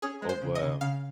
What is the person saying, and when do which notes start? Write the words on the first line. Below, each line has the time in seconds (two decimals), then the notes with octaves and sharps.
Oh, wow.
0.02 C#4 G#4
0.22 G#3
0.29 C5
0.42 C#3
0.55 D#5
0.62 C#3
0.81 C#3 F5